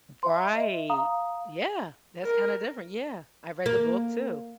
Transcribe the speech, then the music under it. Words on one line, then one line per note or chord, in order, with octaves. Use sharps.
Right, yeah, that's kinda different, yeah, I've read the book too.
E5 C6
D#5 E5
F5 A#5 D#6
A#4
A#3